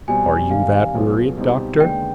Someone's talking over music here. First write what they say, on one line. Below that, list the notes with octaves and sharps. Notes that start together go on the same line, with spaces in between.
"Are you that worried, Doctor?"
B2 G3 C4 G#5
C3 D#3 G3 F5
B1 B2 B3 F4 G#4
B2 G3 C4 D#4 G4
D#2 D3 G#3 B3 D4 G5